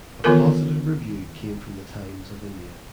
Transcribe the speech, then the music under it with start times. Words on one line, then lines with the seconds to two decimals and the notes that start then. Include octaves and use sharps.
A positive review came from the "Times of India".
0.24 D#3 E3 B3 F4 A4 A#4